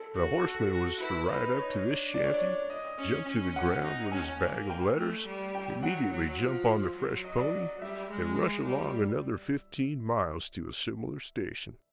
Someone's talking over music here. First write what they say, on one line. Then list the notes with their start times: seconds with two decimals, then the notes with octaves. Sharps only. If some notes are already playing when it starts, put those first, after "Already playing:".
The horseman was to ride up to this shanty, jump to the ground with his bag of letters, immediately jump on the fresh pony, and rush along another fifteen miles to a similar station.
Already playing: A4
0.15 F#4
0.43 A4
0.71 F#4
1.00 E4 B4
1.28 D#4 B4
1.57 C#5
1.85 D4
2.14 D5
2.24 C#5
2.34 D5
2.70 D#5
2.98 C#4
3.27 C#4
3.56 F#5
3.84 D#4
4.12 C#4 G#5
4.41 A#3
4.70 G5
4.97 A3
5.26 G3
5.55 G5
5.82 F#3 F#5
6.11 F#3
6.40 F3
6.96 F#3
7.24 D#5
7.38 D5
7.81 G3 E5
8.10 G#3
8.66 G3